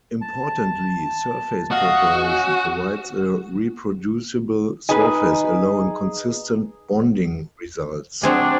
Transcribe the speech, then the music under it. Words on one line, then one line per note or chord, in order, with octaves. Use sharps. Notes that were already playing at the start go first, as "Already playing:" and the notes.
Importantly, surface preparation provides a reproducible surface allowing consistent bonding results.
A5
F#4 D#5 F5 D#6
C#4
D#4 G#4 B4 G#5
F#3 C4 D4 G#4